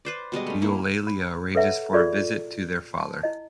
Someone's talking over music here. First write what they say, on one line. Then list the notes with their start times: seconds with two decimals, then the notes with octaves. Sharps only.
Eulalia arranges for a visit to their father.
0.05 B4 C5 D5
0.32 B2 G3 G#3 D#5
0.47 A3 C#4
0.62 A#3 E4
1.07 B5
1.55 A4 B4 C#5 E5 F#5 A#5
1.93 F4 G#4 A4 D5
3.00 A5
3.23 E4 D#5